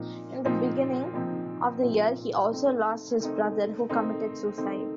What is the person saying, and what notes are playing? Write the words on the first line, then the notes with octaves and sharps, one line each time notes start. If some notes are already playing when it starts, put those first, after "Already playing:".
In the beginning of the year he also lost his brother, who committed suicide.
Already playing: A#2 F3 C4 D#4
A#2 F3 C4 D#4
A#2 F3 C4 D#4
A#2 F3 C4 D#4
D#3 A3 C4 D#4
D#3 A3 C4 D#4
D#3 A3 C4 D#4
D#3 A3 C4 D#4